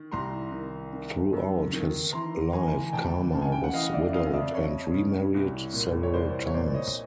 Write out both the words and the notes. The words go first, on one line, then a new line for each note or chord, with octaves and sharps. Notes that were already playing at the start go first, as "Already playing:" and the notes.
Throughout his life Khama was widowed and remarried several times.
Already playing: D#3
C2 A#5 C6
D#3
D#3
F#2
D#3
E3 A#5 C6
E3 G#5 A#5
G#5
D2 G5 A5
C#3 A5
G#5
G5
F#5
E3 D#5 F5
D5 E5
F2 D#5 F5
D5 E5
D5
F2 C#5 D#5
C#3
C2
A#2
C#5
C2 C5 D5
C#5
A#2 C5 D5
C#5 D#5